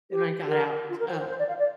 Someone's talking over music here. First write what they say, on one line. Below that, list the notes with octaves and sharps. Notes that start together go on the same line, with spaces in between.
Then I got out, uh,
G4
G4
A#4
F4
A#4
C5
C5
C5
D5
F5
D5